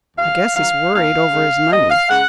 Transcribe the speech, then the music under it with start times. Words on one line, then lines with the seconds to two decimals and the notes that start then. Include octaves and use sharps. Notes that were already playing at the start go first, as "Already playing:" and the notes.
"I guess he is worried over his money."
0.17 D#2 F5
0.55 D#3 F#3 F5
0.94 D#2 F5
1.32 C#3 G#3
1.70 D#2 D#5
1.90 F5
2.09 C#3 G#3 F#5